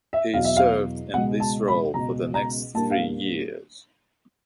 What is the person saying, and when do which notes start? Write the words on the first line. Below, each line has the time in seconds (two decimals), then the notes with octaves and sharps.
He served in this role for the next three years.
0.13 E5
0.34 E2 B2 F#3 F5
0.45 E5
0.57 F5
1.14 C#2 B2 G#3 B3 F#5
1.40 A5
1.68 B5
1.94 C#2 B2 G#3 B3 A#5
2.34 A#5
2.74 A#2 G3 A#3 D4 A5
2.91 F5